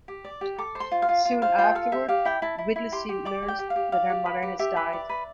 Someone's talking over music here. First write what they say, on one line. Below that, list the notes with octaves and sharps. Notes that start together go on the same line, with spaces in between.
Soon afterward, Whittlesey learns that her mother has died.
G4
D5
G4
A4 D6
C5
C6
F4
F5
F4
F4
C5 F5
F4 G5
A4 F5
G4 E5
G4 F5
E4 G5
E4 A5
E4
E4
G4 C6
G4
D5 D6
G4
G5
G4
F5
G4
D5 F5
G4
B4
G4
G4 E5
B4
D5
B4